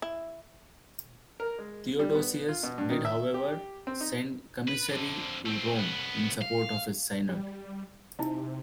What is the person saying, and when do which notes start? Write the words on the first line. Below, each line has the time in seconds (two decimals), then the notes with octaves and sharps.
Theodosius, did however, send commissaries to Rome in support of his synod.
0.02 E4
1.40 A#4
1.59 G#3
1.99 G3
2.15 B3
2.48 F4
2.63 B2
2.78 G2
2.90 D#3
3.05 E5
3.34 G4
3.87 C4
4.01 D#4
4.68 B4
4.89 F2 D3
5.46 A3 C4
5.75 C2 B3
6.42 F5
7.29 G3
8.19 C3 D#4 E4 D#5